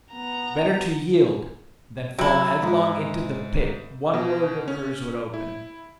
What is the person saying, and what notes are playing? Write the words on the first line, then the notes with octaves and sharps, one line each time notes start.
Better to yield than fall headlong into the pit one word of hers would open.
B3 A#5
C3 F#3 E4
G#2
B2
C#4
E4